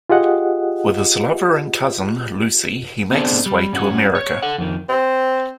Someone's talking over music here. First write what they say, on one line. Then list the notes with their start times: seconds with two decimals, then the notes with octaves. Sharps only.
With his lover and cousin, Lucy, he makes his way to America.
0.10 F4 G4 G#4 D#5 F#5
3.12 B3 C4 D4 G#4 A4 C5
3.46 G3
3.73 G2 C#4 F#4
4.15 C#5
4.42 A4 F#5
4.58 F2 D#3
4.89 C4